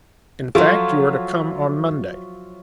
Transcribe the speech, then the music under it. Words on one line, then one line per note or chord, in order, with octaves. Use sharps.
In fact, you are to come on Monday.
F3 F#3 F4 A4 C#5 E5 F5 C6